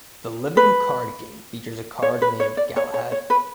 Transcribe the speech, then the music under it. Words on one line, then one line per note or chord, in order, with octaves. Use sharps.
The living card game features a card named Galahad.
B4
C#5
B4
C#5
D5
C#5
C#5
C#5
B4